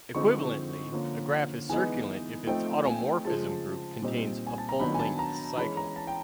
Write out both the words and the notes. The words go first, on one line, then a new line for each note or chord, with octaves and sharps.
Equivalently, a graph is circulant if its automorphism group contains a full-length cycle.
D3 F3 G#3 C4 D#4 C#6
D3 F3 A#3 C#4
E3 G#3 B3 D#4 G#5
F3 A3 C4 D#4 G5
G#5
C#3 F3 G#3 A5
A#2 G3 C4 D#4
G#5
A5
A#5
D#3 F#3 B3 D4 B5
G#5
A5
A#5
E3 G#3 C#4 B5
A#5
A5
G5